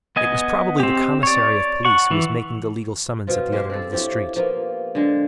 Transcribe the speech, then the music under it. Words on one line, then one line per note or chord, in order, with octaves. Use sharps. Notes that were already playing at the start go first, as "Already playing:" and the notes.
It was probably the commissary of police who was making the legal summons at the other end of the street.
B3 D#5 G#5
C4 G4
C#5 D5
F#5 C#6
E3
B2 F3 F4
G#3 G4 C5
C4 A4
F3 E4 G4 C#5
F3 A#3 B3
D3 G#3